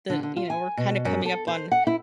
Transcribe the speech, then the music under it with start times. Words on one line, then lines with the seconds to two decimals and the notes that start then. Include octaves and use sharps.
the you know, we're kinda coming up on
0.10 D3
0.23 D3
0.37 F4
0.50 G#5
0.77 B2
1.05 F#2
1.25 A4
1.47 C5
1.72 F#5
1.87 E4